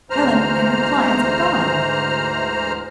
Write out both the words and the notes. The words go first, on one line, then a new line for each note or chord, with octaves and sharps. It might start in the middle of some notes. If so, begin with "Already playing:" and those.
Helen and her clients had gone.
D2 G#2 E3 C5 A#5 F6